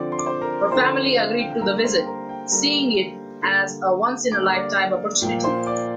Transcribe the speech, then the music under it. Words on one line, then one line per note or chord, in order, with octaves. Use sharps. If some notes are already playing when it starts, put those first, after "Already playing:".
Her family agreed to the visit, seeing it as a once-in-a-lifetime opportunity.
Already playing: D3 F3 C4 D5 D6
C6
D6
C5 C6
A#4 A#5
D3 F3 C4 C5 C6
F5
G5
G5
D3 G3 A#3 A#4 A#5
C5 C6
G5
A#4 A#5
G5
D3 G3 A#3 A#4 A#5
D3 G3 A#3
D3 G3 A#3 D6
F6
D5 D6
A#2 F3 A#3 G5
C5 C6
D5 D6